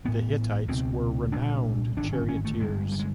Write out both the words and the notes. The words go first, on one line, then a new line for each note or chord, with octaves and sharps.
The Hittites were renowned charioteers.
A1 A2 B3
C#2 B2 C4
C2 A#2 D4
G#1 G2 D3 D4
C#4
C#4
A3
G1 G2 D3 G#3
G3
G#3